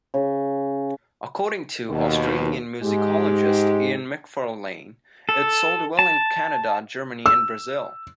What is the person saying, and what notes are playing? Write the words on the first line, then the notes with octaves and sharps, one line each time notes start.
According to Australian musicologist, Ian McFarlane, it sold well in Canada, Germany and Brazil.
C#3
D#2 B2
G#2 G#3 G4
A4
A5
E6